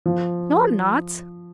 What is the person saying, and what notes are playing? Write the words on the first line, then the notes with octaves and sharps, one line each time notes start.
"No, I'm not."
F3